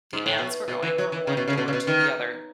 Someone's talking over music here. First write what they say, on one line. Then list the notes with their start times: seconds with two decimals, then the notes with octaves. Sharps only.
the ants were going from one door to the other.
0.13 G#2
0.26 A2
0.38 B2
0.68 B2
0.83 E3
0.98 F#3
1.12 E3
1.27 C#3
1.37 B2
1.48 C#3
1.58 B2
1.68 C#3
1.73 B2
1.87 D#3